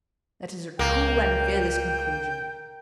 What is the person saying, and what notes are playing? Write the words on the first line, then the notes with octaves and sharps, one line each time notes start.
That is a true and fearless conclusion.
C#2 A#3 G5